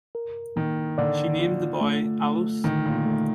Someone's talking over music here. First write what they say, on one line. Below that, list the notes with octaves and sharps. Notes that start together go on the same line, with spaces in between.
She named the boy Alois.
A#4
D#3 A#3
D3 D5
F4
A3
A3
D3 D#3
A#2
A3